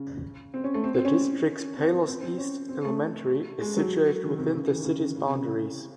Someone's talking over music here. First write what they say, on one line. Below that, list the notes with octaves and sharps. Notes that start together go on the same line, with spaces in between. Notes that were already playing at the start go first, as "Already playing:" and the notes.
The district's Palos East elementary is situated within the city's boundaries.
Already playing: C#3
C4
C#4
A3
C4
C4
C#4
C4
C4
C4
C4
C#4
C4
A3
G#3
F#3
D#3
C3
C#3
E3
D#3
C#3
C#3
C#3
C3
C#3
C#3